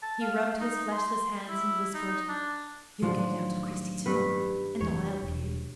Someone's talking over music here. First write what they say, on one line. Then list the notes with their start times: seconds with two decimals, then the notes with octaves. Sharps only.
He rubbed his fleshless hands, and whispered: "You'll get it out of Cristy to-morrow, and I'll help you."
0.02 A5
0.21 F5
0.60 D#4
0.91 C6
1.49 E4
1.94 D#4
2.29 D4
3.02 A2 D#3 F3 F#3 D4
4.06 G2 B4
4.81 F1 F2 E3 C#5
5.23 E1